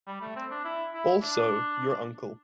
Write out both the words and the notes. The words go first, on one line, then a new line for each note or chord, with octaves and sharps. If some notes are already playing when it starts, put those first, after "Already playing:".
Also your uncle.
G3
A3
C4
D4
E4
E4
D4